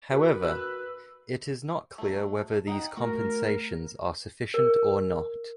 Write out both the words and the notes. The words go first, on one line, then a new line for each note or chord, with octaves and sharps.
However, it is not clear whether these compensations are sufficient or not.
F#4 A#4 B4
E6 F#6
F#3 A3
D#4 F#5 G5
A3 F#4 A#4
A#4